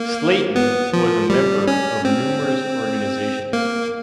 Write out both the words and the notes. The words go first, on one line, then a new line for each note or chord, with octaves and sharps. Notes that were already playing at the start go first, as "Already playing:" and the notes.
Slayton was a member of numerous organizations.
Already playing: A#3
B3
F3
G3
C#4
C4
A#3